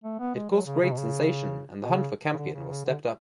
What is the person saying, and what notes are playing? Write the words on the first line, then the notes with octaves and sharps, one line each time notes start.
It caused great sensation, and the hunt for Campion was stepped up.
A3
B3
G#3
F#3
C#3
C#3
B2
C#3
B2
C#3
C#3
D3
C#3
C#3
D3